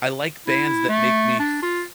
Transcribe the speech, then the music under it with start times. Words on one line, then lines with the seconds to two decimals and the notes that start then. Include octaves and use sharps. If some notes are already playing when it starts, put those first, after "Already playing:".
I like bands that make me f
0.48 E4
0.89 A3
1.40 D4
1.62 F4